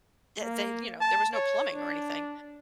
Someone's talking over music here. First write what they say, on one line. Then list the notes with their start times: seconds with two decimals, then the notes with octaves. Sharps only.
eh they, you know, there was no plumbing or anything,
0.42 A#3
1.01 A5
1.34 C#5
1.74 D4